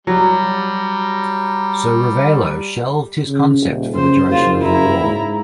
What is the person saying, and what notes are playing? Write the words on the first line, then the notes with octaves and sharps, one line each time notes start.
So Ravelo shelved his concept for the duration of the war.
F#3 G3
C#3
D#1
C#3 C5
F#1 F4 C5
E4 A#5
G#2